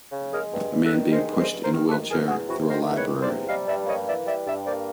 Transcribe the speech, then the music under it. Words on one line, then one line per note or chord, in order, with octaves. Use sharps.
A man being pushed in a wheelchair through a library.
C#3
G#3 G#4 A#4
G2
G2
A4 B4
D#3
G#3 A#4 C5
G2
A#4 C5
G2
A#4 C5
D#3
D#3 A4 B4
E2 G#4 A#4
E2 F#4 G#4
C3 E4 F#4
D#3 A#4 C5
E2
B4 C#5
E2
C5 D5
C3
G3 D#5 F5
G2 D5 E5
A#3 C#5 D#5
E3 D5 E5
G3 D5 E5
G2 D5 E5
A#3 C5 D5